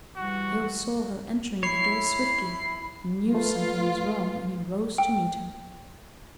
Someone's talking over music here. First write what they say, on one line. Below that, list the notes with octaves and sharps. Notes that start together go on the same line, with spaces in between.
Hale saw her entering the door swiftly, he knew something was wrong and he rose to meet her.
E3 G3 F#4
E4 C#5 B5 C7
A3 F4 B4
G5